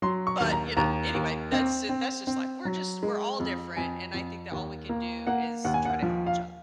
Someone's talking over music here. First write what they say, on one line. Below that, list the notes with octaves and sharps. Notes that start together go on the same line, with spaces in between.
But, you know, anyway, that's ju that's just life. We're just we're all different, and I think that all we can do is try to help each other.
F#3 C6
C#6
D#2
A#5
D#2 A#5
D#2
C4
C4
C4
F#3
G#3
F2
F2 G#5
F2
D#2
A#3
A#3 F#5
D#2 F#5
G#5
F#5
F3
F5